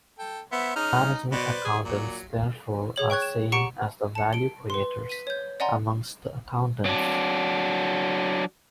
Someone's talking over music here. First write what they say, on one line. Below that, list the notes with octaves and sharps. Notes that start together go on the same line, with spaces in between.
Management accountants therefore are seen as the "value-creators" amongst the accountants.
A4 G5
B3 C5 E5
C#4 D#4 G#4 F6
B2 B4 C5 D5
G#4
A#2 F#3
G#4 C#5 F#7
G5 C#6 F#6 G#6
E7
G4 F#5 A#5 C#6 C#7 D7
A5 C#7
D7 G7
B4 C6
B6 D#7
C#5 G6
D5 D#5 F#5 G#5 A#5 C6
F#3 D4